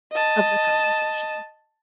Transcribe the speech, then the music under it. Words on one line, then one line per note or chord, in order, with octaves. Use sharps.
of the conversation.
D#5 A5